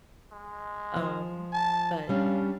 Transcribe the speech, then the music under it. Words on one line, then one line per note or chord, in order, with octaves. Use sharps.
Um, but
G#3
F3
A5
G3 C#4 D4 F5